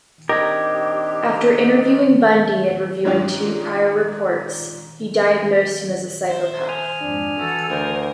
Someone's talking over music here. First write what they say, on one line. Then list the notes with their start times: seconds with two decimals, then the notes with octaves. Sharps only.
After interviewing Bundy and reviewing two prior reports, he diagnosed him as a psychopath.
0.29 C4 D4 D#4 G4 A#4 D#5 G#6
3.05 G#2 F3 C#4 D4 F4 G4
6.26 C5 E5
6.69 G#5 D#6 F6
7.01 F2 G#2 D4
7.35 E3 F#4 A4
7.70 D2 A#4 C5